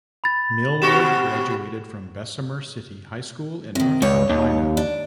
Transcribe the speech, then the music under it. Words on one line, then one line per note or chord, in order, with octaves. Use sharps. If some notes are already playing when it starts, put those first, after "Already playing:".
Millwood graduated from Bessemer City High School in North Carolina.
B5 A6
B2 F#4 G4 C#6 E7
C3 D#3
C#2 C#5
D#2
D4